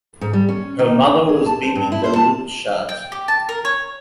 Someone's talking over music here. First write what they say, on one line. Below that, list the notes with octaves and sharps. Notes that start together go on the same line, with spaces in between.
Her mother was Bibi Daulat Shad.
G#2
G3
C#4
D#3
G#4
A5
C5
G2
E4
C5
A5
G5
G4
A5
A#4
C#5